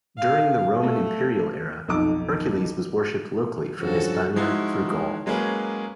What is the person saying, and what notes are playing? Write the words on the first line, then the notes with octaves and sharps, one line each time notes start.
During the Roman Imperial era, Hercules was worshipped locally from Hispania through Gaul.
F5
A3
B1 F2 D#4 D6
G2 C#3 F3 F#4 A4
F3 G#3 D#4 E4 F#4
F#3 G#3 A#3 C#4 G#4 B4